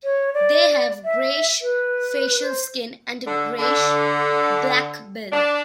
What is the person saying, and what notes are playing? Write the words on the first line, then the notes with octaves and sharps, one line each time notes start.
They have greyish facial skin, and a greyish-black bill.
C#5
D5
E5
B4
C5
D3
D3
D4